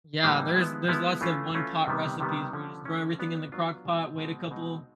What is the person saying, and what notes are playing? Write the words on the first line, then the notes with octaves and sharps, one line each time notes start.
Yeah. There's there's lots of one-pot recipes where you just throw everything in the crockpot, wait a couple
A2 E3 G3 A#3 D#4
F3 G#3 B3 E4
F3 G#3 B3 E4
E3 A3 C#4 F4
E3 A3 C#4 F4
C3 D#3 G3 B3
C3 D#3 G3 B3
D3 F3 A3 C#4
D3 F3 A3 C#4
F#3 B3 D4 F4
F#3 B3 D4 F4
B2 G#3 C4
B2 G#3 C4
B2 G#3 C4 D#4